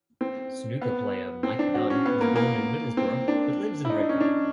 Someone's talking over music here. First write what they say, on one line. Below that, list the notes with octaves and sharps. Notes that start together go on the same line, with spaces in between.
Snooker player Mike Dunn was born in Middlesbrough but lives in Redcar.
C4
B3
C4
D4
F#4
C#4
B3
A#3
A#3
C4
D4
E4
D#4
D4
C#4
D4